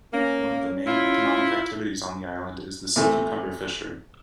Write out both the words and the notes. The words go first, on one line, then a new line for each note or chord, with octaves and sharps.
One of the main economic activities on the island is the sea cucumber fishery.
A#3 C#4
E4 F4
C3 E3 A3